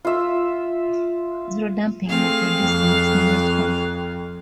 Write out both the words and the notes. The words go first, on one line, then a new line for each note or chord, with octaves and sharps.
Zero damping will produce a maximum response.
F4 E5
A3 C4 G#4 F5
F2